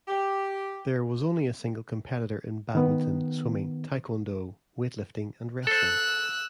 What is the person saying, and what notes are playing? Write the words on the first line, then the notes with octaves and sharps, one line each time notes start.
There was only a single competitor in badminton, swimming, taekwondo, weightlifting, and wrestling.
G4
D#3 B3
A4 C5 E6 F#6